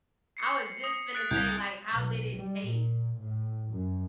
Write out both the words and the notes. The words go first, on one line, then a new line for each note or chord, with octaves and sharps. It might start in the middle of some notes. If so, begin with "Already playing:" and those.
I was just finna say, like, how did it taste?
C7 C#7
D#6
F#6 A6 D7
C2 G6 G#6 F7
B1
G3
A#2
A2
F#2